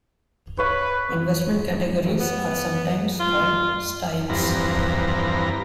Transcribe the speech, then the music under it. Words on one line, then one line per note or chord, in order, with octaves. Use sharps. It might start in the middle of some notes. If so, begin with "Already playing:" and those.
Investment categories are sometimes called "styles".
B4 C#5 F5
B3
F4
E2 G2 F3 C4 B4 A#5